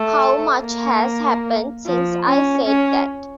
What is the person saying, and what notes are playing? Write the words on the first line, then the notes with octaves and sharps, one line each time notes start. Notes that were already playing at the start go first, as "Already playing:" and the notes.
How much has happened since I said that!
Already playing: A3
A#3
F3
C#4
C#4